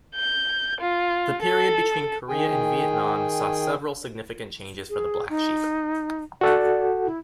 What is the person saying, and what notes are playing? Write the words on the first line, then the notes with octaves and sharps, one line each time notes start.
The period between Korea and Vietnam saw several significant changes for the Black Sheep.
G6
F4
A4
D#3 G#4 G5 G#5
G#4
D#4
F#4 A4 D5 F#5
E4